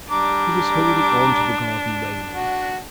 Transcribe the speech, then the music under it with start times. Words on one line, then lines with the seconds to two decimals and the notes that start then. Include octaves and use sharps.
He was holding on to the garden railings.
0.10 G3 D4 A#5 D6
2.34 F#4